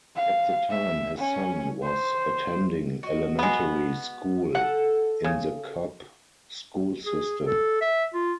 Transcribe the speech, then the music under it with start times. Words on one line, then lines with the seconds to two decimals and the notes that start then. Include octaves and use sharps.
At the time his son was attending elementary school in the Cobb school system.
0.16 F5
0.70 E5
1.18 C#4
1.83 C5
3.03 F#4 D#5
3.39 G#3 B3
4.55 A4 F#5
5.24 C#3
7.06 G#4
7.47 A4
7.81 E5
8.14 F4